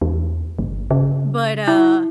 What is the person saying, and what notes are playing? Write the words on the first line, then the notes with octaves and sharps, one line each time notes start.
But, uh
E2
G1
C#3
E4